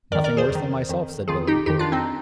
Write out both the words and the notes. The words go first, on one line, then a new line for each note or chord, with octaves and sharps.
"Nothing worse than myself," said Billy.
F2 D#3 A#4 D5
A#4 D5
G#4 C5
F2 D#3
F2 D#3
F2 D#3 F4 G#4
D#4 G4
F2 D#3 D#4 G4
D4 F4
C4 D#4